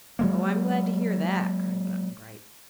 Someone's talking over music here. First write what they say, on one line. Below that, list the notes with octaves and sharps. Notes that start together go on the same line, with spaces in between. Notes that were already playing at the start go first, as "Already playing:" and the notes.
"Oh, I'm glad to hear that!" cried Button-Bright.
F#3 G#3 A#3